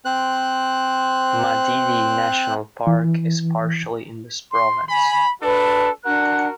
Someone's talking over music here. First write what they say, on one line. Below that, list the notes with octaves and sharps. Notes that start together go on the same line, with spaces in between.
Madidi National Park is partially in this province.
C4 C5 F#6
E3
C6
G#5 B5
D4 F#4 A4 B4 A5
D4 F#4 A#4 F#5 F#6